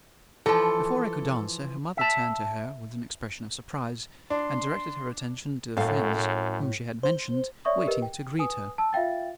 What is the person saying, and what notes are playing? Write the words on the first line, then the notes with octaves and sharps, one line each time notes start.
Before I could answer, her mother turned to her with an expression of surprise, and directed her attention to the friends whom she had mentioned, waiting to greet her.
E3 F3 A4
E5 A5
D4 C6
F#2 A2 A4 F5
C5
C#5 D5 E5 C#6 D#6
G4 A#4 B4 D#5
G5
B4 G#5 D#6
A5 E6
F4 E5 F5 G5 A6